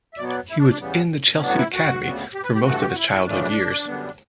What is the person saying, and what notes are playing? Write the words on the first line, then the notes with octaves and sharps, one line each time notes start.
He was in the Chelsea academy for most of his childhood years.
E5
B2 F#3 B3 D5
D5
E4
D4
D4
E2 C#3 G3 B3
C#4
A2 F#3 B3 D4
F#4
E4
F#4
D2 C#3 G3 B3
G4
B4
G4
G2 E3 A3 F#4
A4
G4
F#4
E4
E4
F#2 C#3 E3 A3 D4
F#2 D3 G3 B3